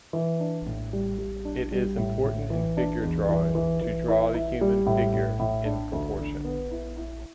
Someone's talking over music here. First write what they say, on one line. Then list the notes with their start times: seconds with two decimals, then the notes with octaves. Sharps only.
It is important in figure drawing to draw the human figure in proportion.
0.13 E3
0.40 D4
0.66 A2
0.93 G3
1.18 G3
1.45 D4
1.72 G3
1.97 A2
2.23 A2
2.50 E3
2.77 D4
3.03 E2
3.29 E3
3.55 E3
3.81 E3
4.08 E4
4.34 E4
4.61 G3
4.86 A2
5.14 A2
5.39 A2
5.65 D4
5.93 D2
6.19 D3
6.45 B3
6.71 E4
6.97 E4